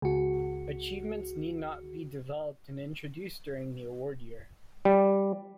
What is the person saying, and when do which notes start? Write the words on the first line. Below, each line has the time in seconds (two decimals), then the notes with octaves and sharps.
Achievements need not have been developed and introduced during the award year.
0.02 C#2 F#4
4.85 G3